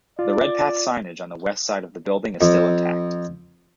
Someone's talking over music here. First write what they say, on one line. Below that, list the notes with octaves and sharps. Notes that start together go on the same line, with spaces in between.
The Redpath signage on the West side of the building is still intact.
F4 D5
F2